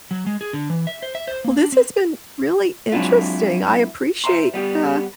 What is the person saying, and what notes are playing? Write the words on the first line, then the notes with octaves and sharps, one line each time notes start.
Well, this's been really interesting, I appreciate, uh,
F#3
G#3
G#4
D3
E3
E5
C5
E5
C5
A#3
D4
C4
F#3 G#3 C4 D4 E4 F4
C5 E5 A#5 C6
G3 B3 G4